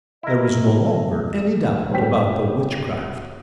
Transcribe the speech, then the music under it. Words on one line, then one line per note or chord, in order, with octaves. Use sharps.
There was no longer any doubt about the witchcraft.
E4 A#4 D#5
G1 G3 F#4 C5 G5 B6